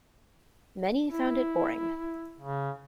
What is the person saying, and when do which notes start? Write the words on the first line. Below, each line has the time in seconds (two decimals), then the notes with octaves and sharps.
Many found it boring.
1.10 E4
2.40 C#3